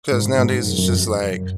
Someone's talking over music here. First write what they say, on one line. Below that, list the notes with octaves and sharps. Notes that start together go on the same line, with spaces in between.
‘cause nowadays, it's just like,
G#2
G#2
F#2
F#2
F2
F#2
F#2